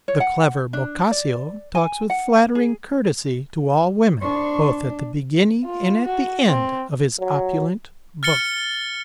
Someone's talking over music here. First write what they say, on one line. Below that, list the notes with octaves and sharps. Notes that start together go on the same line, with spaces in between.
The clever Boccaccio talks with flattering courtesy to all women, both at the beginning and at the end of his opulent book.
C#5
F#5
D4
D5
G#5
F#5
G#4
C2 D4 C6 C#6
F4
F#4
C4
F#3
F6 A6 C#7 G7